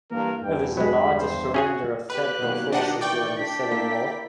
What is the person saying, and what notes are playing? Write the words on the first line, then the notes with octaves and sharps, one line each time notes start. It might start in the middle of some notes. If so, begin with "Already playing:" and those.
It was the largest surrender of Federal forces during the Civil War.
G2 E3 A#3 A#4
E2 G2 G5
F#3 G#3 B5
C5
C#4 F#4 G#4 G#5
B2 G4 B4 F#6
B2 D#3 F#3 A#3
F#3 D4 G4 D#5 F#5
E3 D5 G5 C#6 G6
D4 B6
A#3 E4